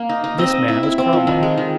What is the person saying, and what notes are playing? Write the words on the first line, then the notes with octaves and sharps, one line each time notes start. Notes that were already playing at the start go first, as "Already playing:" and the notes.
This man was Cromwell.
Already playing: A#3
D#4
D#4
C4 D#5
C4
E4
E4
C4
F3
D#3
G#3
D#3